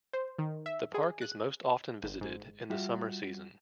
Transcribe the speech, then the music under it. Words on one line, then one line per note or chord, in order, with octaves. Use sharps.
The park is most often visited in the summer season.
C5
D#3
E5
G#4
F#6
G1
G#2
G3 F4 F#4 E5